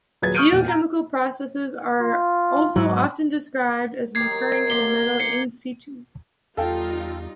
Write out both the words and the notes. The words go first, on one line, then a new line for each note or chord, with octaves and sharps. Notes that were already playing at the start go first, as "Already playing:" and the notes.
Geochemical processes are also often described as occurring to material "in situ".
D#1 F#3 G#4 B4 G#6 A6
C#6 D#6 F6 G6 D7 D#7
E1 A#2
A#5
F4
G#2 F#3
D#3 G4 A#4 G#6 C7
F#3
A#3 C4 G4 C7 G7
C7 C#7
E2 G3 D#4 F4 A4 F5 G5